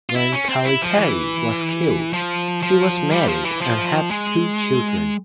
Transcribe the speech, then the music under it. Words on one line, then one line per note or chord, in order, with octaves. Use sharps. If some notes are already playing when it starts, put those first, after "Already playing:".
When Calipari was killed, he was married and had two children.
F4
E4
C#4
C4
E4
F3
E3
F3
F3
G3
F3
E3
F3
G#3